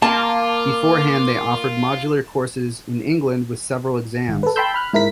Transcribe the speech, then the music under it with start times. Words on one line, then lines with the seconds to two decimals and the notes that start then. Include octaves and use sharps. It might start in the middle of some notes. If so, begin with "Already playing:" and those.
Beforehand, they offered modular courses in England with several exams.
0.02 A#3 F4 A5 D6
4.28 G#1
4.43 A4 B4
4.56 G5 A5 B5 C6 E6 G6
4.74 B5 F6 F#6
4.93 G#2 E4 A#4 B6